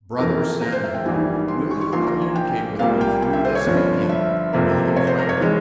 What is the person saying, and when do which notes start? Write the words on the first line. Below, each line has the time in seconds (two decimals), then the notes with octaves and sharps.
"BROTHER SAMUEL:--Will you communicate with me through this medium? WILLIAM FRANKLIN."
0.18 F2 E3 A#3 A#4
0.61 A#4
0.72 C5
0.84 E5
0.94 G5
1.05 A#1 G#2 E3 G3 G#5
1.48 C6
1.71 C#6
1.81 C#6
1.92 A#1 A#2 F3 A#3 C6
2.06 A#5
2.21 G#5
2.36 G5
2.79 C2 A#2 G3 A#3 F5
3.01 G5
3.22 G5
3.33 E5
3.45 C5
3.55 C#5
3.66 G1 G2 F3
4.09 E5
4.53 F1 F2 C3 F3 A#3
4.96 C#5
5.07 C5
5.19 A#4
5.29 C#5
5.41 E3 G#3